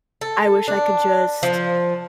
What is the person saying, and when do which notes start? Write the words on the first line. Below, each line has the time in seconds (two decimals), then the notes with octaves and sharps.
I wish I could just,
0.21 A4
0.68 D4
1.43 F3